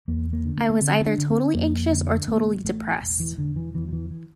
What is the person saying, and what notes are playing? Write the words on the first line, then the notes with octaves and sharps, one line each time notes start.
I was either totally anxious or totally depressed.
E2 A#3
A#3
D3
A#3
A#3
D3 C4
C4
D4
D3
C4
F2 A#3
D3
A1 A#3
A1 A3
E1
E3
E1 D3
E3
E2 E3
F3
E3
E3